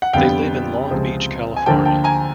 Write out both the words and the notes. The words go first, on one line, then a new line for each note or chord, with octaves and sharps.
They live in Long Beach, California.
F#5
F2 D3 G3 B3 F5 G5
C#2 C3 F3 G#3
G#5
D2 D3 F3 A#3 G5 A5
G5 A5
G#5 A#5